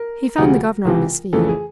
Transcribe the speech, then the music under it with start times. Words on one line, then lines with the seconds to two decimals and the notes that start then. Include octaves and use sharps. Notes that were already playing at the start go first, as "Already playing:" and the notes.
He found the governor on his feet.
Already playing: A#4
0.38 D2 C3 F3 G#3
0.85 C#2 C3 E3
1.33 F2 C#3 E3 A3 A4
1.48 G#4